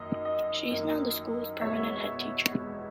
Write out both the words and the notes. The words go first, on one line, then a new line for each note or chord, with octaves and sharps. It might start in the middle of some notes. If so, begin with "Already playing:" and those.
She is now the school's permanent headteacher.
Already playing: F#2 D#3 A#3 D#5
D#5
F#2 D#3 A#3
E2 B2 G#3 B3 C#5 E5
E2 B2 G#3 B3